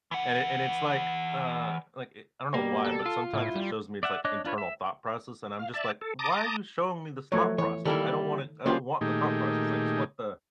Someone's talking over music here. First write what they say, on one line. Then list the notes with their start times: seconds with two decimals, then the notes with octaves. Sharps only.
And and it's like, uh, like, i I don't know why, but sometimes it shows me, its like internal thought process and I'm just like, "Why are you showing me this thought process? I don't want it I don't want the thought process. I just want the
0.11 E3 F#5
2.54 B2 G3 A#3 G4
2.84 A4
3.06 F4
3.33 A2 E4
3.56 G3
4.03 D5 E5 F#5
4.25 D4 C#5 D#5 D6 F#6
4.45 D4 F4 B4 C#5
4.58 E5
5.59 F5
5.74 D5 E5 A5
6.01 A4
6.19 A5 A#5 D6 D#6
7.32 F3 F#3 A3 C#5
7.58 E3 C#5
7.85 D#3 G3 A#3 E4 A4
8.66 F#3 G3 A#3 C#4 F4 C5
9.01 A#2 D#3 A3 D#4 G4 G#4